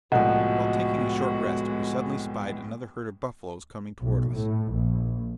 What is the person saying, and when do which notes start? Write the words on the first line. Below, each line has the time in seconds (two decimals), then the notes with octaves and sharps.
While taking a short rest, we suddenly spied another herd of buffaloes coming toward us.
0.12 C2 A2 F3 G#3 B3 F#4 D#5 F#5
4.00 B1
4.33 A2
4.75 A#1